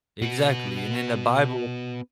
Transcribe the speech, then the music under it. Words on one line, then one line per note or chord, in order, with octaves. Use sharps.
Exactly, and in the bible
B3 F#4